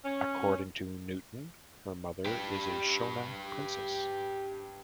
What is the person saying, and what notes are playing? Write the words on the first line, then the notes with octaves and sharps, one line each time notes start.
According to Newton, her mother is a Shona princess.
C#4
G4 B4